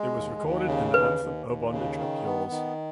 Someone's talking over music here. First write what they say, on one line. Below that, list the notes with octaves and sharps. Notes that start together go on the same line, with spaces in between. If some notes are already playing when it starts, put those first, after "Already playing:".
It was recorded and their anthem Oh Bondage Up Yours!
Already playing: G#3
D#2
D#2
C#3
D#2 B4
D#2
D#2
C#3
D#3
B3
D#3